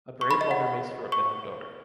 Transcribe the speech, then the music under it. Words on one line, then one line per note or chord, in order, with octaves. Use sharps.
A brave mother makes for a bad daughter.
C#6
B5
D#5
F#5
C#6